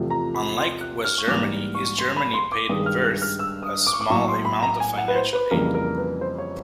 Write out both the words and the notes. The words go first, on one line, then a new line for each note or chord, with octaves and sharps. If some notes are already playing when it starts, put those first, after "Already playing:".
Unlike West Germany, East Germany paid Wirth a small amount of financial aid.
Already playing: E2 C3 F3 A3
A#5
B5
C6
F#6
F6
C#6
G#2 E3 G3 A#3 D6
C#6
C6
B5
C6
D6
G2 D#3 G#3 D#6
F6
F#6
F6
E6
D#6
D6
C#6
D6
A2 F#3 A#3 C#6
C6
B5
A#5
G#5
F#5
B4
C5
B4
F2 C#3 E3 G3 A#3 A#4
A#4
B4
C5
C#5